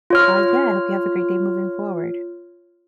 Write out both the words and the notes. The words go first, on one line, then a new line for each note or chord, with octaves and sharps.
uh, yeah, I hope you have a great day moving forward.
F4 C#5 F6